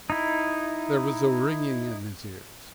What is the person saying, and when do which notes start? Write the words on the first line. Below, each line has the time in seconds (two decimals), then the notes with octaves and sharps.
There was a ringing in his ears.
0.10 D#4 E4